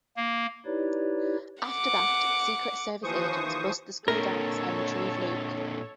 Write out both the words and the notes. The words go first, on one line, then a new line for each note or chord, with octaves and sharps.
After that, Secret Service agents bust the school dance and retrieve Luke.
A#3
D#4 E4 G4 B4 C#5 D5
F#5 D6
D#2 E3 F3 C5 C#6 D#6
A#2 D3 A4 A#4 C#5